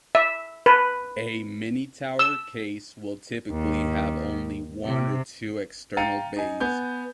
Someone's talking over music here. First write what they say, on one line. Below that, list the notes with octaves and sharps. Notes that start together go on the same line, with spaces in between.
A "mini-tower" case will typically have only one or two external bays.
E5
B4
E6
D#2
C3
F5 G5 A#5 A6 C#7 D#7
D#4 G#5
B3 G#5 G6